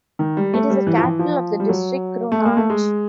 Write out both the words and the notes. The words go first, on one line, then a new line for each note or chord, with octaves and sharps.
It is the capital of the district Kronach.
D#3
G3
A3
G3
E3
F3
E3
F3
G3
F#3
A3
A#3
A3
G#3